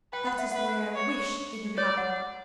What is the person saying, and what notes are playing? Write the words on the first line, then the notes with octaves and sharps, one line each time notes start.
That is the way I wish it had happened.
B4 G5
F#5
E5
B4 F#5
C#5
C#5 D5
F#5